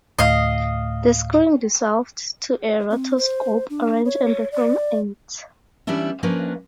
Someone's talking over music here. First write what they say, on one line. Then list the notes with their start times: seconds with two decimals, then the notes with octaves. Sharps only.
The screen dissolves to a rotoscope orange and the film ends.
0.19 D2 A2 D#5 F5
2.91 C4
3.18 C5
3.70 D4
4.05 C#5
4.52 D5
5.87 E3 G3 B3 C#4 D4 E4
6.23 F3 A#3 C#4 D4 A#4 B4